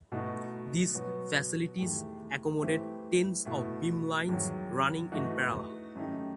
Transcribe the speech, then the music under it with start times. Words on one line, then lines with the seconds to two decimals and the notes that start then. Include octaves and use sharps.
These facilities accommodate tens of beamlines running in parallel.
0.12 B2 A3 D#4 F#4
0.95 B2 F#3 B3 F#4
1.79 E2 D#3 A3 E4 G4
2.62 E3 A3 C4 E4 G4
3.45 B2 A3 E4
4.29 E2 D#3 F#3
5.12 E3 A3 D#4 F#4
5.95 F#2 D#3 A3 D#4 G4